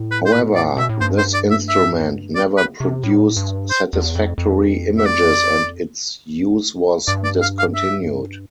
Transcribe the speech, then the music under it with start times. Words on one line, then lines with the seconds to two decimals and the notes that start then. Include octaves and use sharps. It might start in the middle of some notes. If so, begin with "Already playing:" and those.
However, this instrument never produced satisfactory images and its use was discontinued.
Already playing: A2
0.11 B4
0.26 C5
0.33 B4
0.55 D5
0.77 B2 E5
0.89 A2
1.01 G2 C5
1.18 C5
1.34 D5
1.51 E5
1.69 E5
2.35 D5
2.57 B4
2.80 C3
3.03 A2
3.36 G2
3.70 C5
3.93 E2
4.15 F2
4.38 F2
4.98 E5
5.06 D5
7.07 G2 D5
7.24 D5
7.41 F5
7.59 F5
7.75 E5